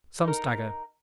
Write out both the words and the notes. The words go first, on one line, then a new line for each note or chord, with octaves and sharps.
Some stagger.
D#4 A#4